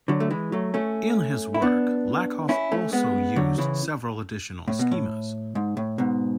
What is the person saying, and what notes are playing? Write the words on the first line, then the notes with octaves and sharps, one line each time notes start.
In his work, Lakoff also used several additional schemas.
D3 F#3
A3
E3 G#3
F#3 A3
A3 C#4
E4
B3 D4
C#4 E4
A3 C#4
G#3 B3
D3 F#3
C#3 E3
A2
B2
A2
G#2
A2
G#2 B2